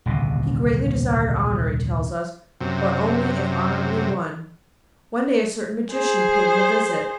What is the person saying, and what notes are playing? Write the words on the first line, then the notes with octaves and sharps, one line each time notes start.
He greatly desired honour, he tells us, but only if honourably won. One day a certain magician paid him a visit.
D#1 C2 B2 D3
F#2 C3
G#4 C5